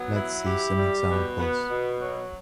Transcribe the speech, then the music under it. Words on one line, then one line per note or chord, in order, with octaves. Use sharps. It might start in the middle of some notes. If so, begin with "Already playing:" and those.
Let’s see some examples.
Already playing: F#3 B3
E4
G4
G3
B2
B3
B2
F#3